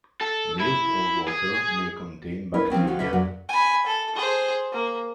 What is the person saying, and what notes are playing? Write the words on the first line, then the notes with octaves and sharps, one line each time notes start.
Milk or water may contain bacteria.
A4
E4
G#4
E4 A#4 B4 C#5
F3 G3 C4 C#4
F3 F4 F#4 C#5
B2 D3 C#4 B4 E5
F#2 F#3 F#4 D5
G#5 B5
A4
G#4 C5
A#3